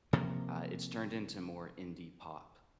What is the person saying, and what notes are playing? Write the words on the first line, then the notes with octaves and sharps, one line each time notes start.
Uh, it's turned into more indie pop
C3 F3 A#3